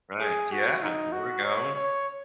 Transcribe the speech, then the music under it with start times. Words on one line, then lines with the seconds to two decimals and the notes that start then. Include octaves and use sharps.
Right. Yeah. There we go.
0.21 G#4
0.52 F#4
0.83 D#4
1.12 F#4
1.44 C#5
1.75 C#5